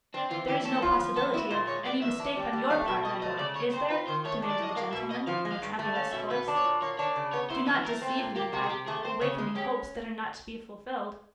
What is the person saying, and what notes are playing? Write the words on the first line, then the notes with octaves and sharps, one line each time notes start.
There is no possibility of any mistake on your part, my boy, is there?' demanded the gentleman in a tremulous voice. 'Do not deceive me, by awakening hopes that are not to be fulfilled.'
C4 D4
E3 F4
E3 G4
C#4 A4
F4
F3
B3 A4
E4 F#4
A#2 C5
G#3 C#5
B3 D5
E2 E5
D4
G3
G3
A3 F5
B2 E5
B2 D#5
A3 D#5
C#3 D5
C#3 C#5
C4 C5
F4 B4
D#3 C5
A3 C#5
D4
D5
A2 D#5
A#3 F5
B2 E5
B2 D#5
F3 F5
G#3
F5
G2
A3
C#4 F5
B2 E5
B3 B4
D4
C#5
A#2
A#3 C#5
D4 C#5
C#3
B3 C#5
E4 C5
E3 B4
A3 A#4
C4
A4
A#2
A#3 G4
C3 F#4
G#4
C3 G4
A3 G#4
C4 C5
C#3 C#5
G#3
C#4 G4